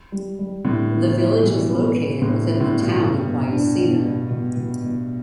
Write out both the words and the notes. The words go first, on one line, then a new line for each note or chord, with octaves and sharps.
The village is located within the Town of Wyocena.
G3
G3
A2 D3 G3
B3
E4
B2 E3 G3
B3
B3
A2 D3 B3
E4
A2 D3
B3
G2 B2
G2 A4
B2
D4
B2
B2
B2
B2
B2